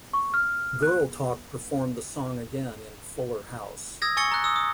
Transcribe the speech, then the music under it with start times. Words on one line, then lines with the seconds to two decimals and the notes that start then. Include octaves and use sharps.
Girl Talk performed the song again in "Fuller House".
0.13 C#6
0.34 F6
0.82 F#6
4.02 D#6 E6 G#6 A#6
4.17 G#5 C#6 E6 A6 C#7 G7
4.32 A#5 F#6
4.44 D#6 E6
4.56 D#6